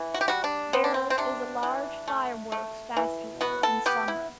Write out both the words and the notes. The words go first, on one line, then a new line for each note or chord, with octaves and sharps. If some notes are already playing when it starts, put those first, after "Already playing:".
There is a large fireworks festival in summer.
Already playing: E3
F#4
G4
G3 F#4
D4
B3 C4
D4
C4
C4
C3 D4
E3
A3
A3
E3
B3 F#4
A4
B3 G4
E4